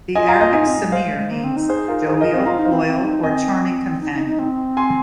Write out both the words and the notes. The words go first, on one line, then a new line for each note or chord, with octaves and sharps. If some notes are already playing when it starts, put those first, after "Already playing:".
The Arabic Samir means: jovial, loyal or charming companion.
F4 D#5 G#5
F5 A#5
D#5 G#5
D#4 D#5 G#5
C4
G#3
C5 F5
G#3
G#3
A#3
C4
D#4
G#4 C5
F4 A#4
D#4 G#4 C5
A#4 D#5
C4 C5 F5
F4 F5 A#5
D#4
C5 F5
C4
C4
D#4
C4 D#5 G#5
D#4
D#4
D#4
C4
G#5 C6